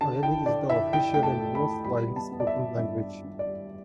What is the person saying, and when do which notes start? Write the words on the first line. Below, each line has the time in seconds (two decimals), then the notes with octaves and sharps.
Arabic is the official, and most widely spoken, language.
0.01 D3 A5
0.23 E4 G5
0.46 D3 D5
0.69 E4 E5
0.93 E4 G5
1.14 A3 G5
1.23 A5
1.39 A3
1.55 B5
1.61 E4
1.85 G3 B5
2.08 B3
2.16 A5
2.32 B3
2.40 D5
2.47 E5
2.55 B3
2.77 G2 E5
3.00 D4
3.24 G2
3.39 D5
3.47 G3